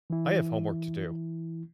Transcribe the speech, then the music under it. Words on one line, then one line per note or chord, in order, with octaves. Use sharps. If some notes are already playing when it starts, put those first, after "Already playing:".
I have homework to do.
E3 E4